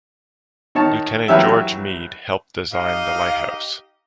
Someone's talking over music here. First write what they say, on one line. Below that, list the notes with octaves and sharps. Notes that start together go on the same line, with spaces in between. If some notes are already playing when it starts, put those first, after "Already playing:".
Lieutenant George Meade helped design the lighthouse.
D#3 C#5 A5
A#1 E3 F#3 C#4 G4 E5
D#4 G4 D#5 F5